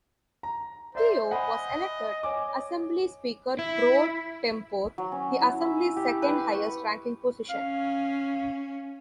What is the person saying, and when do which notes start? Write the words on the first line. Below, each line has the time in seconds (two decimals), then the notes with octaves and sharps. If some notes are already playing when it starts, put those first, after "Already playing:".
Kehoe was elected Assembly Speaker pro Tempore, the Assembly's second highest-ranking position.
0.43 A#5
0.95 C5 D5 E5
1.31 D#5 F#5 G#5 B5
2.23 C#5 G#5 D6
3.59 E4
4.98 F#3
5.12 C#4
5.41 E4
5.61 E5
5.96 G4
6.22 B4
6.54 C#6
7.49 C#4 F5